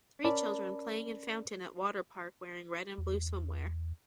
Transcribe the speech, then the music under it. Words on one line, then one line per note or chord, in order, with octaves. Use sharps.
Three children playing in fountain at water park wearing red and blue swim wear.
C#4 A#4 D5 A5 B5
E2